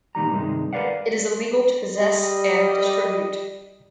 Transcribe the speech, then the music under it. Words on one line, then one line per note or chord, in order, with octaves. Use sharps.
It is illegal to possess and distribute.
E2 A#2 D#3 G3 A#5
G2 C3 D#3 G#3
A#4 B4 C#5 D5 F5 F#5
G3 D#5